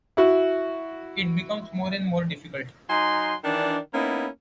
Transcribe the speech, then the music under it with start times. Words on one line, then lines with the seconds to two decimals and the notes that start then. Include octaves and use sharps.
It becomes more and more difficult.
0.17 E4 F#4
2.89 F#3 D#4 G#5 C6
3.44 D#3 E3 D4
3.93 A#3 B3 C#4 D#4 E4